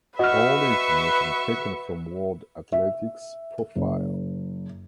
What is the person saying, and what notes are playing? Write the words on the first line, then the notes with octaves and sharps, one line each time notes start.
All information taken from World Athletics profile.
F#4 B4 D#5 E5 C#6 F6
E5
F#1